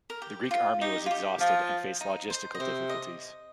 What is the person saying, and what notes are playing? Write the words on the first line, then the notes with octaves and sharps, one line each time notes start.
The Greek army was exhausted and faced logistical difficulties.
A#4
G4
F4
D#4 G4
F4
G4
F3 F4
D#4
C5
D#5
C3 C5
D#5